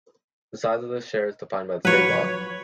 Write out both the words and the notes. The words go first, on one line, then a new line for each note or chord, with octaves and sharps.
The size of this share is defined by the state law.
F3 F#3 B4 C#5